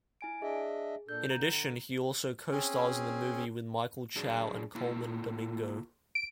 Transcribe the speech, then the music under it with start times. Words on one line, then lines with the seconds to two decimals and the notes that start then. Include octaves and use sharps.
In addition he also co-stars in the movie with Michael Chow and Colman Domingo.
0.21 E4 G#5 D7
0.42 D4 G#4 D#5 E5
1.09 A#2 D4 A4 G6
1.30 D3 A#5
2.51 C4 C#4 G#4
4.16 F#3 D4 G#4
4.75 A#3 E4 F4
6.15 D7